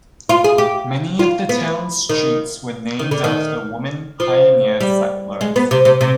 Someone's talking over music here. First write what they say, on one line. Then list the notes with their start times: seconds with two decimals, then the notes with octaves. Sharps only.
Many of the town's streets were named after women pioneer settlers.
0.29 F4
0.44 G#4
0.58 G4
1.19 F4
1.49 B3
2.09 D#3
2.99 D#3
3.11 D3
3.24 D#3
4.20 F3
4.81 G3
5.41 G#3
5.56 B3
5.71 C3
5.85 C3
6.01 C3